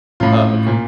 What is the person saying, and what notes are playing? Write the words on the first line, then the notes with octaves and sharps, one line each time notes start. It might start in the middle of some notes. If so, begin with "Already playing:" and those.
Oh, okay.
A1 A2 F4
A#2